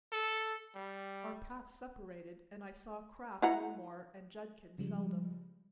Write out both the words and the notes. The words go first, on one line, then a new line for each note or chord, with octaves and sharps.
Our paths separated, and I saw Kraft no more and Judkins seldom.
A4
G3
E4 F#5 A#5
C#3 F3 G3 G#3